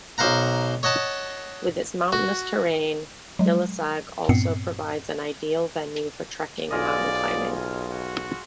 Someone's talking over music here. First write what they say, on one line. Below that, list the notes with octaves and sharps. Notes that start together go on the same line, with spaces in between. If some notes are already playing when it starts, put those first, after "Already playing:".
With its mountainous terrain, Dilasag also provides an ideal venue for trekking and mountain-climbing.
B1 C5 F5 F#5 A#5
C#5 D#5 F#5 A5
F#4
F#3 G#3
G2 A#2 B3 C4 C7 C#7
B1 F4 G#4 D5 D#5
F#4